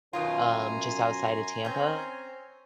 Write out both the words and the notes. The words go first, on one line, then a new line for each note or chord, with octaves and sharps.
um, just outside of Tampa,
F#2 B2 D#3 F4 G#5 A#5 C6
C4 C#4